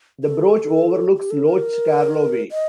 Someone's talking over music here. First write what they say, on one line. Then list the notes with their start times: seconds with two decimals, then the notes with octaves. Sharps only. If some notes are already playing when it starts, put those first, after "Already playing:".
The broch overlooks Loch Carloway.
0.24 A4
1.15 G4
1.31 A4
1.46 A#4
2.52 D#5